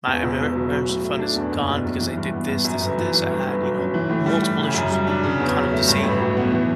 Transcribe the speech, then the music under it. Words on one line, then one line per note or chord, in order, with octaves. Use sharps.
my emer emergency fund is gone because I did this, this, and this, I had, you know, multiple issues, eh, kind of the same,
E2
E1
B2
F#3
F#3
A2
A3
D4
E2
F#1
B2
F#3
E3
G2
B3
G2
F#2
G1
E3
G1
G2
G1
F#3
C#4
E3
A2
G3
A2
C#3
F#2
G3
D4
C#3
E2
F#3
A3
G2
A1
F#3
B3
E3